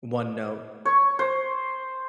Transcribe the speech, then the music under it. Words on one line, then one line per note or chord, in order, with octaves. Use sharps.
one note,
C#5
C5